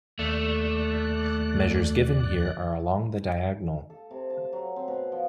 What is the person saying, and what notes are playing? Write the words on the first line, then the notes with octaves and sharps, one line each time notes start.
Measures given here are along the diagonal.
D#2 A3 D5 F#6
A4
C3
A5
F#3
C4
B2
F3